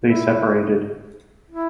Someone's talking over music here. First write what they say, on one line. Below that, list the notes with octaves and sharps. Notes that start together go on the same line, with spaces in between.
They separated.
E4
E4